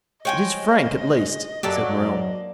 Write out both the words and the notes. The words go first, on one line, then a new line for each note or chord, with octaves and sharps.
"It is frank, at least," said Morrel.
G#3 C5 C#5 D#5 G5 G#5
F#2 F#3 A#3 D4 G4 A4 D5